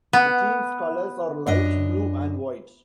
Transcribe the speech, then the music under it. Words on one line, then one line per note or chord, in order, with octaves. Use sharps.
The team's colors are light blue and white.
B3
F#2 D4 D#5